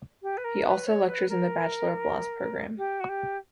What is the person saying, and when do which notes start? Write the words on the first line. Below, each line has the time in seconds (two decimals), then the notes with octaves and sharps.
He also lectures in the Bachelor of Laws program.
0.22 G4
0.37 B4
0.44 A#4
0.64 B4
0.86 C#5
1.08 B4
1.29 A#4
2.77 G4
3.00 F#4
3.08 G4